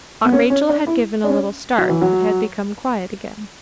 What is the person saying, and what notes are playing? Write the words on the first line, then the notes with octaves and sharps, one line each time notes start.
Aunt Rachel had given a little start, but had become quiet again.
B3
C#4
C#4
D4
E4
D4
C#4
F#3
E3
F#3